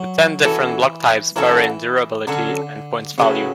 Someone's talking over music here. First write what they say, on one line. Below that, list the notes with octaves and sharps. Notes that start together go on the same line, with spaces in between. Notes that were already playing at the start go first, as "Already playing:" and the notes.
The ten different block types vary in durability and points value.
Already playing: F#3
E3 F#3 C#4 F#4 A4
E3 F#3 C#4 F#4 A4
D3 F#3 C#4 F#4 A4
A2 C#3 F#3 B3 F#4